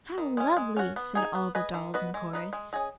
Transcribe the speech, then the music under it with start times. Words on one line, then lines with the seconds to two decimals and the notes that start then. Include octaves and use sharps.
"How lovely!" said all the dolls in chorus.
0.18 D#3
0.37 G#3 C#4
0.57 G#3
0.77 C#4 F#4
0.96 B3
1.15 D#4 G#4
1.35 B3
1.55 G#4 B4 D#5
1.74 D#3
1.94 B3 F#4 B4 D#5
2.14 G#3
2.33 D#4 B4 D#5
2.53 G#3
2.73 C#4 G#4 D#5